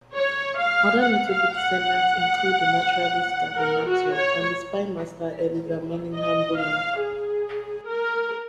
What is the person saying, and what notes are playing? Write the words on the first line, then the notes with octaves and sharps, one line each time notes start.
Other notable descendants include the naturalist Gavin Maxwell and the spymaster Eliza Manningham-Buller.
C#5
F5
F#5
F5
F#5
A#4
F#4
C#5
D#5
F5
G#4
A#4